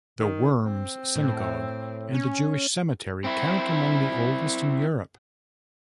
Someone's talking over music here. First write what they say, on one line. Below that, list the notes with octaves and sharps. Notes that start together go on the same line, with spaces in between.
The Worms Synagogue and the Jewish Cemetery count among the oldest in Europe.
D#3
C4
A2
C#4
C4 E4